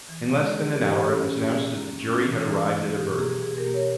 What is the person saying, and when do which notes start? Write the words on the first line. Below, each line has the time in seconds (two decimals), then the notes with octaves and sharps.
In less than an hour it was announced that the jury had arrived at a verdict.
0.09 E3
0.33 G#3
0.56 E3 G#4
0.72 G4 A#4
0.80 E3
0.89 G4
1.04 C#4 G#4
1.28 C#4 G#4
1.52 A#3 G#4
1.76 A#3
1.99 C#4
2.23 E3
2.47 E3
2.71 E3
2.95 B2 G4
3.18 A#3 G#4
3.42 B2 G#4
3.58 G4 A#4
3.66 A#3
3.74 A#4 C#5